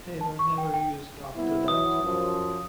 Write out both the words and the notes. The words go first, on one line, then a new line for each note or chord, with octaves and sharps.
They were never used after that.
A5
C#6
G5
G5
C2 B3 E4
E3 F#3 D#6
F#2 F3